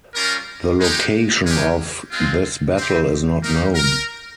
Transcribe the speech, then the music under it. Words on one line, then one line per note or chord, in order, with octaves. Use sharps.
The location of this battle is not known.
G3 C#4 F4 A#4
G#3 D#4 G4
G#3 C#4 G4
G#3 C4 F4
C4 G4
A#3 D#4 G4 A#4
A#4